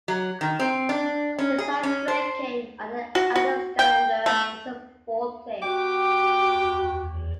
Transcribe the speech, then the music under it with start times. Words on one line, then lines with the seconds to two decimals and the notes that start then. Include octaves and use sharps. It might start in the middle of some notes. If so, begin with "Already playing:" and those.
His highest ranking on the Adelskalender was a fourth place.
0.08 F#3
0.41 D#3
0.59 C4
0.89 D4
1.39 C#4
1.58 G#4
1.83 C#4
2.08 C5
3.15 F#4
3.35 F#4
3.79 G5
4.26 A3
5.62 B3 F#4 G4 G5 D6